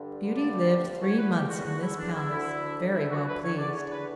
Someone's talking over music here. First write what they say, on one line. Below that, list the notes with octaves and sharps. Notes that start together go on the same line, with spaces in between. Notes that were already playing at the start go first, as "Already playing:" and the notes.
Beauty lived three months in this palace, very well pleased.
Already playing: G2 D3
D5
E2 D3 C#5
B4
G4
F#4
F#4
E4
D4
E4
D2 D3 E4
E4
F#4
B4
C#5
E2 D3 D5
C#5
B4